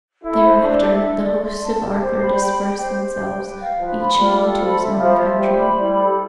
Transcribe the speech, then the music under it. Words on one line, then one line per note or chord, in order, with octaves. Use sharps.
Thereafter the hosts of Arthur dispersed themselves each man to his own country.
E4 A4
C5
D4 A4
E5
A4
D5
C6
A5
G4
C5
G3 B5
G5
G4
C5
G4
G5
B4
F5
F3 B4
B5
G3 F4
A4
F3 B5
E5
F3 C5
E5
G3 C5
B5
G3 E4
A4